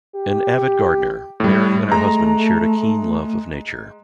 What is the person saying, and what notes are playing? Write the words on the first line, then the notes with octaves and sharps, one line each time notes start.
An avid gardener, Mary and her husband shared a keen love of nature.
G4
A2 G3
G#3 A3 A#5